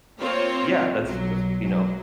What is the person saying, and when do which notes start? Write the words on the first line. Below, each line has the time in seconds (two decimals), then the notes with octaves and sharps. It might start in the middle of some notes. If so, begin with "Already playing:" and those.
yeah, that's that's, you know,
0.19 A#3 C4 F4 C5 C#5
1.00 B1 F#3
1.63 F#3